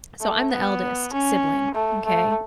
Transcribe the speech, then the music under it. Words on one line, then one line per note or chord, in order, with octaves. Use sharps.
so I'm the eldest sibling, okay?
A3
B3
C#4
A3
A3